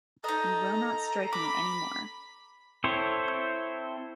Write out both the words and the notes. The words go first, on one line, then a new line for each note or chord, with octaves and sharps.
You will not strike me anymore!
D#4 A4 D#5 A#5
B5 D6
C4 E4 A4 C5 C#5